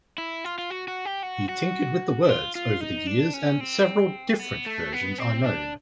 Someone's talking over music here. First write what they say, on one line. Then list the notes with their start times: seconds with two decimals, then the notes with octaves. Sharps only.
He tinkered with the words over the years and several different versions are known.
0.18 E4
0.44 F4
0.58 F4
0.70 F#4
0.88 F#4
1.05 G4
1.23 F#4
1.49 F#4
2.23 E4
2.29 F4
2.55 F4
2.81 D#4
3.07 D4
3.34 C#4
3.61 C4
4.39 B3
4.66 A3
4.93 B3
5.18 C4
5.44 D4